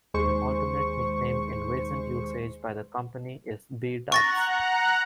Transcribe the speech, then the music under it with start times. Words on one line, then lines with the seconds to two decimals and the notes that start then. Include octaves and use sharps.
An alternate nickname in recent usage by the company is B-Dubs.
0.14 D#2 G#3 C5 C#6
4.12 F#5 A#5 C#6 F#6 A6 A#6